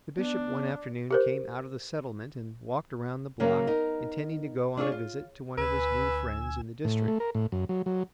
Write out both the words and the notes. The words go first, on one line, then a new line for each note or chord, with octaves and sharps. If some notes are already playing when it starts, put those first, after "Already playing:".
The Bishop one afternoon came out of the Settlement and walked around the block, intending to go on a visit to one of his new friends in the district.
B3 D4
G4 A#4 C5
C#3 F#3 A#3
B3 D#4 A#4
D4 F4 G#4 C#5
F4
D2 B4 G#5 E6
A2
A3
A#4
A2
F#2
F#3
F#3